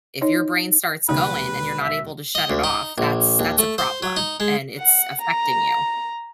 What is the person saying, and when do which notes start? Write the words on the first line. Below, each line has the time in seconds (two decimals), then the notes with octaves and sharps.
If your brain starts going and you're not able to shut it off, that's that's a problem and it's affecting you.
0.21 D#4 C#5 D#5
1.09 E1 D#2 C#3 D#4 B4
1.81 E5
2.35 D#5
2.50 D2
2.64 D#4
2.98 A#1
3.39 D#2
3.58 A3
3.78 C5
4.03 F#3
4.17 D#4
4.40 G#3
4.78 F#5
5.22 A#5